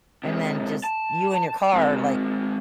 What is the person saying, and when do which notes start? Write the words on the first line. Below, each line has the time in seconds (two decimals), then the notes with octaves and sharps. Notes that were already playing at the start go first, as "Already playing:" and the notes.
and then, just, you and your car are, like,
0.24 C3 G#3
0.84 A5
1.73 G#3 C4